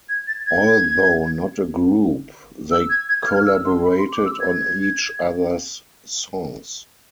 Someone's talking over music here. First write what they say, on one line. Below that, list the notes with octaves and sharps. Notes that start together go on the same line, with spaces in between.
Although not a group, they collaborated on each other's songs.
G#6
A6
G#6
E6
G#6
G#6
G#6
F6
F6
E6
C6
B5
C6
D6
E6
G#6